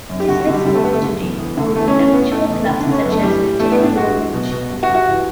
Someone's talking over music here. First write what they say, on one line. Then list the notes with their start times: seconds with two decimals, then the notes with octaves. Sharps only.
It is less common today, although amateur clubs such as retain dual membership.
0.10 F#2
0.20 G4
0.28 D3 F#4
0.40 F#4
0.47 D3
0.53 G3
0.65 D3 G3
0.75 A3
0.84 G2 B3
0.93 A3
1.02 D3
1.21 E2
1.38 E2
1.58 D3
1.76 E3 A3
1.88 C#4
1.94 E3
2.00 C#4
2.12 A2 B3
2.31 A2 A3
2.49 E2
2.68 D3
2.80 D4
2.87 D3 C#4
3.02 F#2 B3
3.12 A3
3.22 E3 G3
3.41 A2
3.59 E3 A3
3.72 B3
3.78 A2
3.84 D4
3.96 G2 F#4
4.15 E3
4.33 B2
4.52 B2
4.70 G2
4.83 F#4
4.89 G2
4.95 F#4
5.07 E3